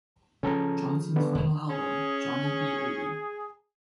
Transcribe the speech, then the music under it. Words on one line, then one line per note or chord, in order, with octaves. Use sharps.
Johnson's final album, Johnnie Be Eighty.
C#3 F3 C#4 A4 A#5
D3 B3
E1
C#4 G#4
G#4